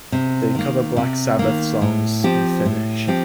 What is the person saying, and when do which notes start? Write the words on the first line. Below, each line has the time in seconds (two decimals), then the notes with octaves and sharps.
They cover Black Sabbath songs in Finnish.
0.12 C3
0.55 D#3 A#3
0.97 C3
1.39 D#3 A#3
1.82 A2
2.24 F3 C4 G4
2.65 A2
3.07 F3 C4 G4